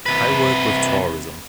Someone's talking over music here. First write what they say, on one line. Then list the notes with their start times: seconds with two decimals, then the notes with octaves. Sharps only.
I work with tourism.
0.06 C3 B4